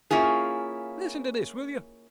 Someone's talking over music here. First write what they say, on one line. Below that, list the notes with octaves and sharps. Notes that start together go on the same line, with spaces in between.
Listen to this, will you?
A#3 C#4 E4 F4 G#4